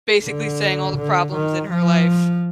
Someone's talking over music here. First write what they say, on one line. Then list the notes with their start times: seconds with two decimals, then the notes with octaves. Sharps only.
basically saying all the problems in her life,
0.24 D3
0.97 D3
1.34 D#3
1.71 F3